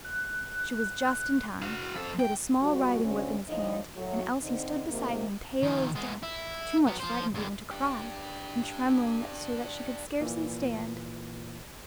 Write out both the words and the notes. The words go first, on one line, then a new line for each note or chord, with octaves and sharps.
She was just in time; he had a small riding whip in his hand, and Elsie stood beside him pale as death, too much frightened even to cry, and trembling so that she could scarcely stand.
F#6
F#4 F5
F2 A4
G5
F2 G3 F#4
D2 C#4
A2 D3 F3 D4 D#4 D#5
A2 F#3
D3 C4 D#4
G#2 C3 D#3 F3 A#3
D#3 F3
G#3 B3
E4
F#3 B3
F3 C5
G2 D3
D4 G4
A#2 E3 A#3